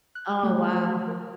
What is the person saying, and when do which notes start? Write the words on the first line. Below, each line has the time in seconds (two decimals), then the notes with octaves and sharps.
Oh, wow.
0.15 F#6
0.43 A3
0.87 F#4
1.08 A#4